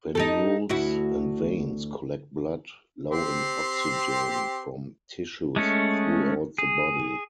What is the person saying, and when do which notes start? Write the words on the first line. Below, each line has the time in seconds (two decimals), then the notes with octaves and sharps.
Venules and veins collect blood low in oxygen from tissues throughout the body.
0.15 D#4 G4 A4
0.69 D2 E4 F#4
3.11 C4 G4 C6
5.56 G#3 A3 C#4
6.58 G#4